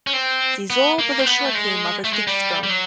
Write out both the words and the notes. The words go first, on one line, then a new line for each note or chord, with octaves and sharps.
This all but assured him of a sixth term.
C#4
C4
B3
A#3
C4
B3
A3
G#3
A3
G#3
G3
G3
F#3